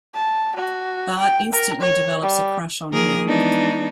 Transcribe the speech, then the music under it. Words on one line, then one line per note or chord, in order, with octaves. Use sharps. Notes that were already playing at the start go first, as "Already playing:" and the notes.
Bart instantly develops a crush on her.
A5
F#4
G5
A#4
C#5
G3
D#3 F3 A#3 G#4 A#4 D#6
E3 G#3 B3 D4 D#4